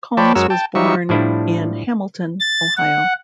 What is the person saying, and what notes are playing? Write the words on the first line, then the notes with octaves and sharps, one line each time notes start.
Combs was born in Hamilton, Ohio.
F3 C#5 D5 G5 A5 B5
F#2 G#3 F#4 A#4 C#5 E6
G5 A5
F#3 G3 D#4 E5 C#6
A2 F3 G3 D4 E4
A6
F#5